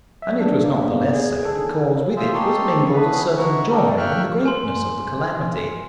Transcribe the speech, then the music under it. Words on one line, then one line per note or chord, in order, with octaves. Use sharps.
And it was not the less so because with it was mingled a certain joy in the greatness of the calamity.
F#3 E5
D4
A#3
B3
G#4
A4
F4 G#4 C5 E5
D#4 G4 A4 C#5 C6
A3 B3 C#4 G#4 B4
D#4 E4 F#4 C#5 C#6
D4 D#4 G4 A4 A#4
E5 F5 G5 C#6 F6 F#6
G#5 C6